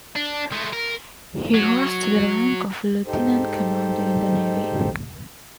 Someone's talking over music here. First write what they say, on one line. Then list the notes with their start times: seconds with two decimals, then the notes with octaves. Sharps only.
He rose to the rank of lieutenant commander in the Navy.
0.15 D4
0.52 G#3 A3
0.73 A#4
1.54 F#3
3.06 G#2 D#4 G4 A4 C5